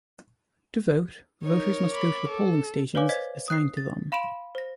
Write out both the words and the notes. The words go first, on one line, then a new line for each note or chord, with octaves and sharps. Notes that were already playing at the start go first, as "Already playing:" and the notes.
To vote, voters must go to the polling stations assigned to them.
D#4 A#4 C#5
B5 D6
A4
B4 C#5 D5 F5 G#5 D6
C5 D#5 G#6 B6
D#6 F#6 C7
A6
F5 B5 C6 D7 E7
C5 A#6